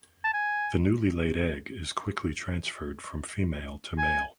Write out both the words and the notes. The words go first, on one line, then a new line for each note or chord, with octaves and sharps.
The newly laid egg is quickly transferred from female to male.
A5
G#5
G#5